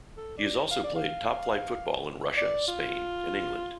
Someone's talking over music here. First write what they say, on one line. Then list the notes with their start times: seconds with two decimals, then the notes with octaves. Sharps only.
He has also played top flight football in Russia, Spain and England.
0.17 A4
0.38 D5
0.71 F5
0.84 D5
0.95 F5
2.37 D5
2.68 F4